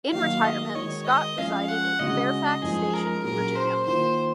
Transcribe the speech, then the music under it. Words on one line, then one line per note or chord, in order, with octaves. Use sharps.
In retirement Scott resided in Fairfax Station, Virginia.
D#3 F#3 A#3 D#4 F5
D#5
D#3 G#3 D#4 F#4 C#5
D#5
F3 G#3 C#4 F5
F#5
C#3 G#3 C#4 F#4 D#5
F#2 F3 G#3 D#4 G#4
A#4
A#2 F#3 A#3 C#4 G#4 A#4
C5
D#3 A#3 F4 A#4 C5